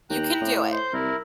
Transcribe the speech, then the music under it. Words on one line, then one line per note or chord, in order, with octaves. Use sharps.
You can do it.
D#2 G5 A#5 F#6
A2
C5 C6 G6
C2 E4 A#4